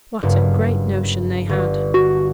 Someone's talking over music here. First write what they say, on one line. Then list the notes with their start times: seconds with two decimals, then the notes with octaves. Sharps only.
What a great notion they had!
0.23 F#1 G2
1.49 G1
1.94 F#4